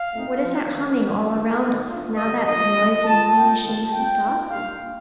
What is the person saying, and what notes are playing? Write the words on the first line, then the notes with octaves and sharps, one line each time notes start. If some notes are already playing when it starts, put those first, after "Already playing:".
What is that humming all round us, now that the noisy mowing-machine has stopped?
Already playing: F5
A#2 A3 C4 D#4
F3 C4 F4
D#3 A3 C4
F3 A3 D#4
D#3 A#3 D4 F4
D#3 A3 D#4
A#2 A3 D4 F4
D3 G3 D4 D#5
D3 F3 A3 D#5
C3 F3 A3 C4
D#3 A#3 F4 A5
A2 A3 C4 F4 G5
C3 D#3 G3 C4 F4 A5
C3 G3 C4 F4 G5
A#2 A3 D#4
A#2 G3 A#3 D4 F4 F5